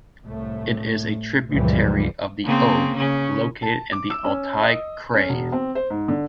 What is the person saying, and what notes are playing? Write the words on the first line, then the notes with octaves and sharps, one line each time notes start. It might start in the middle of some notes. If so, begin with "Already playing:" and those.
It is a tributary of the Ob, located in the Altai Krai.
C2 A2 A3
C#2 G2 A#2 E3 F3 G3
C#3 A#3 C4
C#3 C#4
A5
D6
E6
C#4
D#5
C#4
E1
C4
C5
G#2
D3